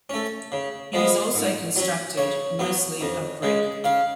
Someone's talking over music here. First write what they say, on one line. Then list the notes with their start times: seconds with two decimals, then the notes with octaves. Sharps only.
It is also constructed mostly of brick.
0.10 A3 C#4
0.52 C#3
0.93 F3 G#3 B3
1.34 G#2
1.76 F#3 C#4
2.17 C#3 C#5
2.59 F#3 B3
3.01 F2
3.42 C#3 G#3
3.84 C#3 F5